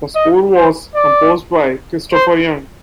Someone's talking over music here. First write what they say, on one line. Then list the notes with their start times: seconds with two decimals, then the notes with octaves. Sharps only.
The score was composed by Christopher Young.
0.15 D#5
0.55 C5
0.95 D5
2.13 C5